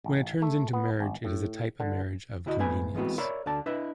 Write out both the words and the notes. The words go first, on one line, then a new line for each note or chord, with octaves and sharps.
When it turns into marriage it is a type of marriage of convenience.
A1
A3
B3
G#1
A2
D3
D2 E4 F#4 D#5
G#2 A3 B3 B4 G#5
E3 G#3 A3 B3 C4 F#4
A#4 C#5 D5 E5 B5 C6
D2 D3 D5 A5
D4 E4 B4 D#5 E5